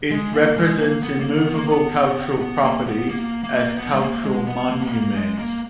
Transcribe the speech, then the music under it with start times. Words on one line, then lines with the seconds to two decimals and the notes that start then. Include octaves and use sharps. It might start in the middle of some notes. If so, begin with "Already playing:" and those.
It represents immovable cultural property as cultural monument.
0.11 G#3
0.34 A#3
0.57 G#3
0.80 A#3
1.03 B3
1.20 A#3
1.37 B3
1.55 A#3
1.72 B3
2.40 B3
2.63 A#3
2.87 B3
3.09 A#3
3.44 A#3
3.78 B3
3.92 G#3
4.01 A#3
4.24 G#3
4.47 B3
4.70 A#3
4.82 B3
4.92 A#3
5.16 G#3
5.39 A#3